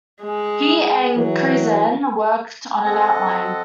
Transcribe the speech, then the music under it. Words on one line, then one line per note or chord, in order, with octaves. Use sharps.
He and Krizan worked on an outline.
G#3
E3 F#3
C4 A4 D#5 F#5